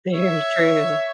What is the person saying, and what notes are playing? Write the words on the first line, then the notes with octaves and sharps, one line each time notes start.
Very true.
C#5 E5